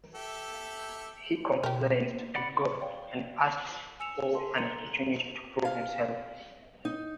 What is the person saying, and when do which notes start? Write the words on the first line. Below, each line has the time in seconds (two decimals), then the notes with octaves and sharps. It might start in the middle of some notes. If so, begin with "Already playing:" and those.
He complains to God and asks for an opportunity to prove himself.
0.15 G4 A4 E5
1.63 B2 G4 A#4
2.01 A#3
2.35 D5 F#5 B5
2.80 C#5 D5 F5 G5
4.00 G#5 E6 C#7 E7 F7
4.32 A4 A5 C6
4.54 A#5 C6 A6 C#7
5.65 F5
6.85 D#4